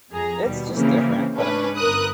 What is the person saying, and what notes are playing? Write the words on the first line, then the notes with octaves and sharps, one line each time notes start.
it's just different, but, I mean,
F2 G#4 A#5
D#2 B2 G3
C#3 E3 A#3 C4
C#4 D4 B4
G1 A#4 B4 D#6 F#6